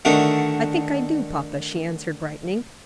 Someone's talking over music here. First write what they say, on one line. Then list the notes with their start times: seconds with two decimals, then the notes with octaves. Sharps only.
"I think I do, papa," she answered, brightening.
0.05 D3 D#3 A3 D4 F#4